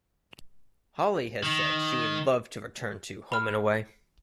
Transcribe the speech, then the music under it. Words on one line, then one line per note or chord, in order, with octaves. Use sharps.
Holly has said she would love to return to "Home and Away".
D#3
B5 F6